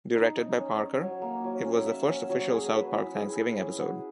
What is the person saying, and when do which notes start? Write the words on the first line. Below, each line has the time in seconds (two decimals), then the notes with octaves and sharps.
Directed by Parker, it was the first official "South Park" Thanksgiving episode.
0.15 D#4
0.37 D#4
0.58 C#4
0.79 C#5
1.02 F#3
1.22 A#3
1.44 F#3
1.65 C#4
1.86 E5
2.08 C#4
2.29 F#3
2.51 G#4
2.72 B4
2.93 E4
3.15 G#4
3.36 G#4
3.57 C#4
3.79 F#4